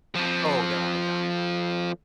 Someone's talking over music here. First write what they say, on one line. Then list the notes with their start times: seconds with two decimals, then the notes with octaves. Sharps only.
Oh, there okay, got it.
0.15 F2 F3